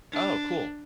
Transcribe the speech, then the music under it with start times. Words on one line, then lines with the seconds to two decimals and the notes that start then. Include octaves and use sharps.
Oh, cool.
0.12 D4